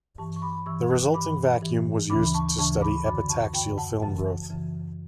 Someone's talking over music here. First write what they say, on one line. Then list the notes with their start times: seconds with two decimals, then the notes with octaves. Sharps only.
The resulting vacuum was used to study epitaxial film growth.
0.18 G2 E3 A5 C#6
0.36 C#6
0.42 B5 D6
0.66 G2 E3 C#6 E6
0.90 D6 F#6
1.14 G2 E3 B5 D6
1.62 G2 E3
2.10 D2 C#3 E3 B5 D6
2.34 A5 C#6
2.58 D2 C#3 E3 A5 C#6
2.82 B5 D6
3.06 F#2 D3 B5 D6
3.29 A5 C#6
3.54 F#2 D3 G5 B5
3.78 F#5 A5
4.02 F#2 C#3 E3 F#5 A5
4.50 F#2 C#3 E3